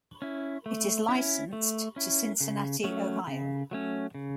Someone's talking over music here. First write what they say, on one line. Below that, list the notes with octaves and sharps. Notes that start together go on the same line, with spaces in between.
It is licensed to Cincinnati, Ohio.
C#4 E4
A3
C#4 E4
A3
C#4 E4
C#3
F#3 A3 C#4
C#3
F#3 A3 C#4
C#3